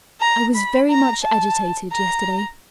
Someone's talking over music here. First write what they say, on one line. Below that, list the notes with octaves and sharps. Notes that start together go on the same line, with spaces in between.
I was very much agitated yesterday.
A#5
B5
A#5
A5
A#5